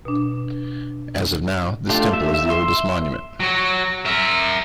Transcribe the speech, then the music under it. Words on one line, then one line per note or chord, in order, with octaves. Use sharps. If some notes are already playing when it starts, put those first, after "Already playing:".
As of now, this temple is the oldest monument.
B2 D4
A3 D4 F4 G4
E5
E5
E5 C6
F#3 F#4
A#4 E5